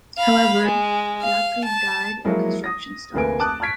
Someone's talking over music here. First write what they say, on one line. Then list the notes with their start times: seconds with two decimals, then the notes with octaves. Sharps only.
However, Yaqub died and construction stopped.
0.18 F5 B5
0.65 G#3
1.21 F5
1.64 A5
2.24 F3 F#3 G#3 A#3 E4
2.64 D#6 A#6
3.14 F1 D2 A#3 B4 G#5 D7
3.40 A5 D6 D#6 F#6
3.60 A5 C#6 F6 G#6 B6 D7